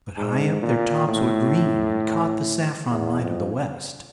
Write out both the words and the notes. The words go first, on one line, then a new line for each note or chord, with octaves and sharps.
But high up their tops were green and caught the saffron light of the west.
G#2
A#2
A2
E2
F2